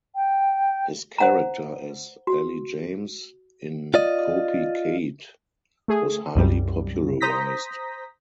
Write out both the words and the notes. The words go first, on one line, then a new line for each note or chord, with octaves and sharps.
His character as "Ali James" in "Kopi Kade" was highly popularized.
G5
C5 F#5 A#5
F#4
F4 D5 D#5
A3 G#4
C2 F#2 G3
C5 A#5 D#6 G6 A#6 B6